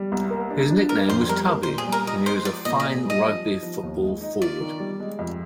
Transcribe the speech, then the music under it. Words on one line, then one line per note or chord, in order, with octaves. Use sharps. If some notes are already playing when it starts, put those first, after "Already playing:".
His nickname was "Tubby" and he was a fine Rugby football forward.
Already playing: G3
C2
A#3
D4
D4
A#3 A#4
F2 C5
G3 A#4
A#3
C5
A#2
G#4
G3
A#4
D#4 D#5
G#3 C5
F3 D5
A#2 D#5
D#5
G#4
G3
D#5
F3
D#4
F3
D#2
G#3
D#4
F4 D5
D#3
G3
G#3
F2